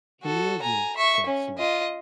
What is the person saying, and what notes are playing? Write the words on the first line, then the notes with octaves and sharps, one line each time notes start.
"He nailed me," said Smith.
F#4 A4
G#5 A#5
E5 C#6
C#4
F4 D#5